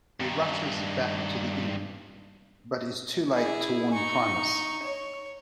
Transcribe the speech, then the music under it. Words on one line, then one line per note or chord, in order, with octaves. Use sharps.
He rushes back to the inn, but is too late to warn Primus.
G2 D#3
E4 G#4
D#4 C#6
C#5